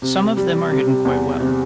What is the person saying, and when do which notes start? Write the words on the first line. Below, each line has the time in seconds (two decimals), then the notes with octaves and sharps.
Some of them are hidden quite well.
0.02 C3
0.37 G3
0.71 C3
1.05 E2
1.40 C3